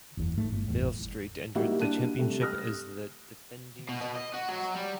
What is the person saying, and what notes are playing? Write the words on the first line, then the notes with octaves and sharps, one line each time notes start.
Millstreet entered the championship as the defending champions.
F#1 E2
G#2 A3
G1
G1 E2 A2
G3 A#3 D#4 E4 F#4 G4
A#3 D4 F#6 D#7
C3 G3 A3
D#6 F6 F#6 A#6
B2
B2
D#5
F#4
F#3
G3